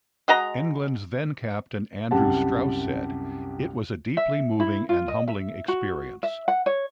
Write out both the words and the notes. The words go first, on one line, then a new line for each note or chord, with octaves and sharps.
England's then captain Andrew Strauss said: "It was a deeply moving and humbling experience".
G#3 F#4 D#5 A#5
C2 F#2 G4 F#5 A5
E5
E4
F4
D#5
E5
F#4
E5
F#5
C#5